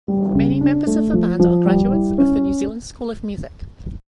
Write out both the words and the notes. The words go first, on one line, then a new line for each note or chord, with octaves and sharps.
Many members of the band are graduates of the New Zealand School of Music.
G3
C#3
D4
A3
F3
F3
G3
E4
C#4